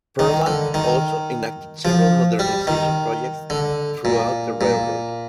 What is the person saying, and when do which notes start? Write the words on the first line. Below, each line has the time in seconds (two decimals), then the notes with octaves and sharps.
Perlman also enacted several modernization projects throughout the railroad.
0.19 D#3
0.46 D3
0.74 D#3
1.85 F3
2.39 G3
2.67 D#3
3.50 D3
4.05 A#2
4.61 A#2